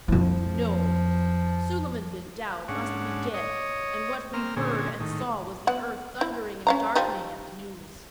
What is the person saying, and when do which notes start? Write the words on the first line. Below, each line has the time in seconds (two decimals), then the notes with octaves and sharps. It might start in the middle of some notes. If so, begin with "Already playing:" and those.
No! Suleiman-bin-Daoud must be dead, and what we heard and saw was the earth thundering and darkening at the news.'
0.08 F2 F3 E4
2.68 G#2 C#4 D4 F#5
3.34 C#5 D#5
4.33 A#3 C4 F6
4.56 A#2 D3 C4 C#4 G#4
5.00 A2 D#3
5.67 B3 F#5
6.21 E4
6.67 C#4 F5 A#5
6.95 F3 G3 D#4